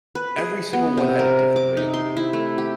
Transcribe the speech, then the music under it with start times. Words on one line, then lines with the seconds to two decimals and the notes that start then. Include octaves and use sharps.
every single one had a different way of doing it,
0.15 B4
0.38 G#4
0.73 B3
0.97 C3
1.19 A#4
1.56 D6
1.77 D#4
1.94 C6
2.17 E4
2.33 A3
2.58 G4